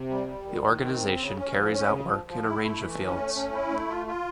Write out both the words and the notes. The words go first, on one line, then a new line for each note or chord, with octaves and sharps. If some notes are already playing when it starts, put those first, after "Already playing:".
The organization carries out work in a range of fields.
Already playing: C3
G3
G3
D#3
D#3
C4
C#3
C#3
C#4
F3
C#4
C#3
F3
F3
E4
A3
E3
C#4
A3
C#4
E4
A3
F4
F4